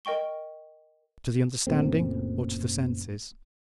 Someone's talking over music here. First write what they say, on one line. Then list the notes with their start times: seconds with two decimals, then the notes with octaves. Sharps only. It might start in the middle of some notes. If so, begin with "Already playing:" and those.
To the understanding or to the senses?
0.05 A#4 D#5 G5 C#6 G7
1.67 F#1 A#2 A3 C4